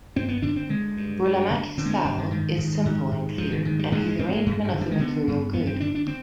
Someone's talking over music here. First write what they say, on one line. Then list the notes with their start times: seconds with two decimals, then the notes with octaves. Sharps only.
Burlamaqui's style is simple and clear, and his arrangement of the material good.
0.16 G2 C4
0.29 B3
0.42 D3 D4
0.56 C4
0.69 D3 G#3
0.96 G2
1.24 G2
1.50 D3
1.78 D3 C4
1.85 G#3
1.90 B3
2.04 G2 C4
2.18 D#3
2.30 G#2 D#3
2.58 G#2
2.85 G#2
3.12 G#2
3.38 G#2 F3
3.52 D#3
3.65 G#2 D#3
3.79 G3
3.92 G#2 G#3
4.06 G#3
4.19 G#2 C4
4.33 G#3
4.46 G2
4.73 D3
4.81 G3
4.91 G#3
4.99 D3 B3
5.28 G2
5.53 G2 B3
5.67 C4
5.80 D3 D4
5.95 D4
6.07 C4